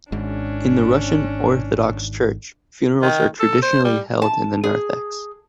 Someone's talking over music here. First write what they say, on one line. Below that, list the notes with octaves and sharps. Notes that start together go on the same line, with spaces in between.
In the Russian Orthodox Church funerals are traditionally held in the narthex.
G#1 G#2 C#4 D4
D#3
A4
C5
G3
A5
G#4